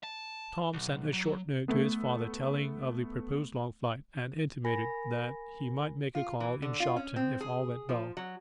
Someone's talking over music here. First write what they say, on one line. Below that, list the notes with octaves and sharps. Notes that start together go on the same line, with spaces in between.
Tom sent a short note to his father telling of the proposed long flight, and intimated that he might make a call in Shopton if all went well.
A5
B1
F#3
A3 B3
A#4 G#5 B5 A#6
F4
E3
D3
F4
C#4
C4
G#4
F3
F#3